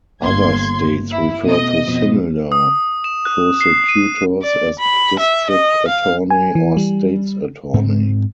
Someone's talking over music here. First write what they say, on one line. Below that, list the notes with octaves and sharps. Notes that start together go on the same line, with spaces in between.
Other states refer to similar prosecutors as district attorney or state's attorney.
G1 A#3 C6 G#6
E4
B2 A3 D#5 D#6
F2 B2 F3
D#6
E7
F#6
C7
D#7
D5
B5
E5
D#5
F5
G#5
E3
G3
G#2 C4